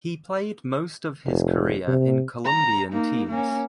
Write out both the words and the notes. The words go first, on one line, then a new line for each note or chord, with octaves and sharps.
He played most of his career in Colombian teams.
F1
C3
A#5
A#3 D#4
A#3 C#4